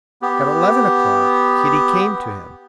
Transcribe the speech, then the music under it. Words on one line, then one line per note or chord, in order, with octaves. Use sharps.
At eleven o'clock Kitty came to him.
B3 G4